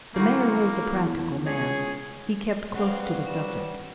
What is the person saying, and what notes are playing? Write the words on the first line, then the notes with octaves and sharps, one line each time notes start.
The mayor was a practical man; he kept close to the subject.
A2 D#3 A#3 F#4 A4
E2 E4
C#2 G#4 C#5
G3 C4 C#4 F#4 B4 F5
G3 E7